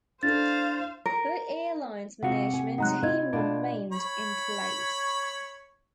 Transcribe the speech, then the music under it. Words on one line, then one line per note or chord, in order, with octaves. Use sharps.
The airline's management team remained in place.
D4 E4 A4 C5 F5 A6
A#4
C3 F4 F#4 F#5
G#5
F#3 G#3 D#4 F#5 A#5 F#6
E4 F4 D#5 G#6
B2 D4 F4
C#5 B5